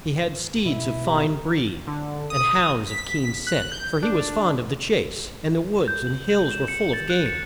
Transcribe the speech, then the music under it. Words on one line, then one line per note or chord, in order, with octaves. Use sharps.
He had steeds of fine breed, and hounds of keen scent, for he was fond of the chase, and the woods and hills were full of game.
B2 E4
G4 A#5 B5
D3
D#6
B6
F#6
G6
D4
G6
F#7
F#7
E7
C#7
A6
F#6
C#7